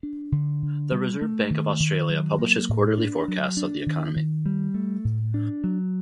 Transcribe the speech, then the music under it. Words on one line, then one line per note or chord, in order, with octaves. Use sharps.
The Reserve Bank of Australia publishes quarterly forecasts of the economy.
D4
D3
D3
G3
A3
D#3
D#3
F#3
A#3
A2
D4
F#3
D4
D#3
D#3
G3
A3
A2
D4
F#3